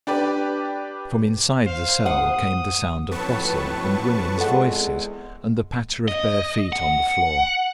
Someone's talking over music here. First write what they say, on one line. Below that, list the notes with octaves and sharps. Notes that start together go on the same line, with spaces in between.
From inside the cell came the sound of bustle and women's voices, and the patter of bare feet on the floor.
D4 G4 B4 D5
C5 F5
F#5 D#6
F2 A2 F#3 B4 A5 C#6
E2 G#3 A4 F#5
D#5
F#5